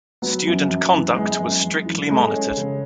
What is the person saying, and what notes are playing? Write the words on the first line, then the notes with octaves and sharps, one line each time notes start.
Student conduct was strictly monitored.
F#3 B3
F#2
F#2
E3
G#3 B3
F#2
F#2
E3
G#3 A3
C#4
C#3